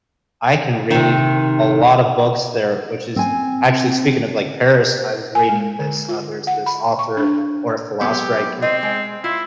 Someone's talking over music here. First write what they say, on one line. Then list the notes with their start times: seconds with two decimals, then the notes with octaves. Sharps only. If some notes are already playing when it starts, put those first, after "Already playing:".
I can read a lot of books there, which is actually speaking of like, Paris, I was reading this uh, there's this author, or a philosopher, I could
0.91 C3 D#3
3.16 C4 G#5
5.35 G#5
5.49 G#3
5.79 D3
6.09 F4
6.47 F#5
6.66 B5
6.99 C#6
7.17 D4
8.00 F#3 G#3 B3 G4
8.62 C4 D#5
8.83 G#3
9.24 E4 F4